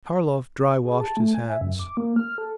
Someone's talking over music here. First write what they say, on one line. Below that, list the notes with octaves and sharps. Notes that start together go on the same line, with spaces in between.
Karlov dry-washed his hands.
G#4
A5
A3
G#5
E5
F#2
D6
A#3
F6
A4